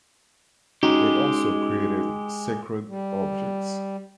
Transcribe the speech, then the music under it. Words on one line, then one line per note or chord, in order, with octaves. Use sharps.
They also created sacred objects.
G#3 C#4 D#4 F#4 G4
G3